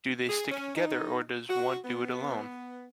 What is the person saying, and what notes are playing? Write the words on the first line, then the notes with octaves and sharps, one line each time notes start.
Do they stick together or does one do it alone?
G#4
C#4
D#4
F#4
B3